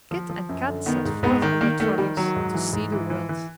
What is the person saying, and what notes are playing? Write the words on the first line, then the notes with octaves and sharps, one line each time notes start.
Kit and Kat set forth on their travels, to see the world.
F3
F3
F#2
D3
D#3 B3
G#2
G#2 B3
D#3
D#3 A#3
D#3 A3
D#3 G3
D#3 F#3
G#2
E3
G#2
E3
E3
E3